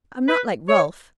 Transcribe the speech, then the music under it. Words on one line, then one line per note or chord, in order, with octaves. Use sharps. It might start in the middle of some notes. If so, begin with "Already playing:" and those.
I'm not like Ralph.
B4
C#5